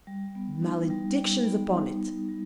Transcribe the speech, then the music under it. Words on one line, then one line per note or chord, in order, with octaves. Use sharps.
Maledictions upon it!
G3
B3
D#4
G3
G3
B3
D#4
G3
G3